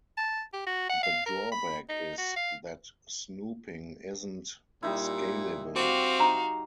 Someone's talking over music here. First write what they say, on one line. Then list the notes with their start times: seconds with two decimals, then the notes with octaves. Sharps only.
The drawback is that snooping isn't scalable.
0.17 A5
0.53 G4
0.67 F#4
0.89 F#5
1.03 F5
1.26 A#4
1.52 B5
1.89 D#4
2.18 F#4
2.36 F5
4.83 A#2 G3 D#4 E4
5.76 C4 F#4 F5 D6
6.20 D#4 A#5